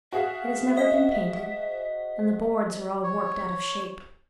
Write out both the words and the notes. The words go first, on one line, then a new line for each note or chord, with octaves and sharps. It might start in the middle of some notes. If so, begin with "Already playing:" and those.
It has never been painted and the boards are all warped out of shape.
F#4 G#4 E5 F5
C5 D#5 B6
C#5